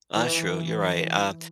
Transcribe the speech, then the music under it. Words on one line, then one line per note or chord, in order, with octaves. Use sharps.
That's true, you're right. Uh,
E3